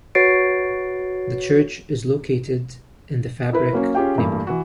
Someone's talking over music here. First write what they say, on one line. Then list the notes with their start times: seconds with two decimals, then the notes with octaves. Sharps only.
The church is located in the Fabric neighborhood.
0.15 F#4 B4 C#5 A6 C7 D7
3.53 E4 A#4 B4
3.72 F#3 A#3 C#4
3.95 C#4 F4 G4 G#4 G5
4.18 G2 E3 A3 A#3
4.47 E3 F#4